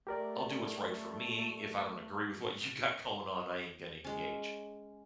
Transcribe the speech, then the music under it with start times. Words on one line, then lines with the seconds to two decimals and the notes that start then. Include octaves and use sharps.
"I'll do what's right for me; if I don't agree with what you got going on, I ain't gonna engage."
0.07 A3 G4 A#4 D5
4.04 G#3 C#4